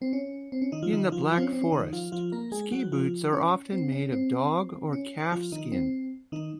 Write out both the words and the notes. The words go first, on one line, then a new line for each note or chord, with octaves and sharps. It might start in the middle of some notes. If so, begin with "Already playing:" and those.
In the Black Forest ski boots are often made of dog or calf skin.
C4
C#4
C4
C#4
D#3 D#4
F3 F4
D#3 D#4
F3 F4
F3 F4
C4
C#4
C4
C#4
D#3 D#4
F3 F4
F3 F4
A#3 A#4
G#3 G#4
F#3 F#4
F3 F4
C#4
C4
C#4
C4
C#4
F3 F4
D#3 D#4
C4
D#3 D#4